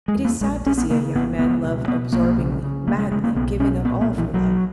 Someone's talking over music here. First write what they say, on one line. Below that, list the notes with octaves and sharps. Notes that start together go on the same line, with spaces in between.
It is sad to see a young man love absorbingly, madly, giving up all for love.
G#3
E2
A#3
A#1 G#3
A#1 C#4
B3
C#3 A#3
G#1 B3
C#2 B3
B2
B2 B3
B1 A#3
C#3
C#3
E1 A#3
G#3
C#3 G#3
A#3
B1 B3
B2 C#4
A#2 B3
A#3
B1
E3
B1 F#3